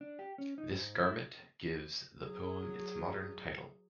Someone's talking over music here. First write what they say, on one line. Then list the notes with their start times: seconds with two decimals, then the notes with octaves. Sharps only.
This garment gives the poem its modern title.
0.01 D4
0.19 G4
0.38 C#4
0.58 D#4
0.71 G#2
1.03 E4
2.21 F#3 G#4